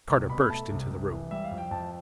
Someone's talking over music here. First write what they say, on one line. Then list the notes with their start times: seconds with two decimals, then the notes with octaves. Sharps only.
Carter burst into the room.
0.09 C2
0.29 B2 B5
0.40 B5
0.50 A3 A5
0.70 C2
0.91 C2
1.11 E3
1.31 G3 E5
1.44 F5
1.51 F2
1.58 G5
1.71 F2 A5